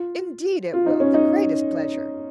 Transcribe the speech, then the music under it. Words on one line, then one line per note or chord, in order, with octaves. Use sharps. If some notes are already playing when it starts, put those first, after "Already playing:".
"Indeed it will; the greatest pleasure."
Already playing: F4
F4
D#4
C#4
D#4